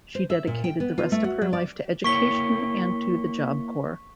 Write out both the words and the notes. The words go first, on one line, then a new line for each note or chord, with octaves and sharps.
She dedicated the rest of her life to education and to the Job Corps.
C5
E5
A#2
G5
B3
F4
A3
F#4
F#3
D5
A#3 E4 C#5 C#6 B6 G7